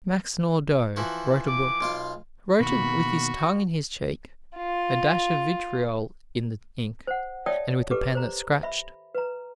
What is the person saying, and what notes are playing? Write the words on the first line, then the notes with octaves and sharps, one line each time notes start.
Max Nordau wrote a book--wrote it with his tongue in his cheek, a dash of vitriol in the ink, and with a pen that scratched.
E3 F3 F#4
D6
B1 F4 F5
B2 D#3 A#3 F#4 B5
F4
C5 F#5
C#5 D5 E5 G5 A5 D#6
G4 A4 B4 D6
C5 A#5
E5 B5
B4 A#5